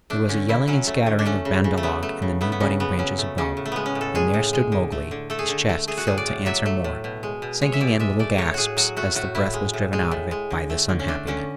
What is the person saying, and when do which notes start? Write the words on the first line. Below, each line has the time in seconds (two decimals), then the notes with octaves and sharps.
There was a yelling and scattering of Bandar-log in the new-budding branches above, and there stood Mowgli, his chest, filled to answer Mor, sinking in little gasps as the breath was driven out of it by this unhappiness.
0.10 A3 D4
0.29 D3 C#4
0.49 D3 E4
0.68 F#3 C#4
0.87 A3
1.06 D3
1.19 D4
1.26 A3 C#4
1.45 C#3
1.64 C#3
1.78 A3
1.83 F#3 B3
2.03 A3
2.22 C#3
2.41 A3 B3
2.52 B3
2.60 C#3 C#4
2.80 C#3 B3
2.99 F#3 C#4
3.18 A3
3.38 C#3 C#4
3.57 A2
3.66 A3
3.72 G#3 B3
3.86 C#4
3.95 A2
4.01 A4
4.15 G#3 G#4
4.34 A2
4.53 G#3
4.72 D3
4.92 A3
5.11 D3
5.30 A3 A4
5.39 G#4
5.48 D3 A4
5.69 A3
5.88 A3 G#4
5.97 F#4
6.07 A2 G#4
6.18 D5
6.27 A2
6.46 F#3 E5
6.66 A3
6.84 A2
7.04 B2
7.23 G#3
7.42 B2
7.61 G#3 C#5
7.73 E5
7.80 B2 D5
8.00 G#3 E5
8.19 A3 D5
8.38 A2 C#5
8.54 A2 F#4 G#4
8.77 F#3 F#4
8.97 A3 F#4
9.15 A2 F#4
9.35 A2 E4
9.54 G#3
9.73 A2
9.93 G#3
10.11 A2
10.31 G#3
10.50 D3
10.70 A3
10.89 D3
10.99 C#4
11.08 A3 D4
11.27 D3 C#4